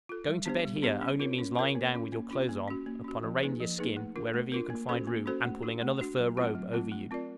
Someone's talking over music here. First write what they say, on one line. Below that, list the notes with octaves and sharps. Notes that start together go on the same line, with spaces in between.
Going to bed here, only means lying down with your clothes on, upon a reindeer skin, wherever you can find room, and pulling another fur-robe over you.
F4 A4
G3
B3 D4 G4 C5
G3
B3 D4 G4 C5
C#4
F4 A#4 C#5
C#4
F4 A#4 C#5
A#3
C#4 F4
A#3
C#4 F4
A#3
C#4 F#4
A#3
C#4 F#4
F3
A#3 D#4 G#4 B4
F3
A#3 D#4 G#4 B4
A3
D4 F4 A#4
A3
D4 F4 A#4
A#3
C#4 F#4 A4 C5
A#3
C#4 F#4 A4 C5
A3
D4 F#4
A3
D4 F#4
F#3
A3 C4 F4
F#3
A3 C4 F4
A3
C4 F4 A#4 D5